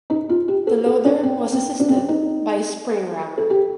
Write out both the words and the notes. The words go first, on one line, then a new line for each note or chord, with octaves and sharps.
The loader was assisted by a spring rammer.
D#4
F4
G4
A4
A4
D4
C4
C4
D4
C4
D4
D#4
A4
G4